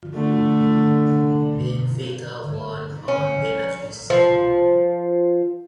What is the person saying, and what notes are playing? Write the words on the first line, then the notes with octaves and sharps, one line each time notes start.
Benfica won on penalties.
D3 A3
C#4
F3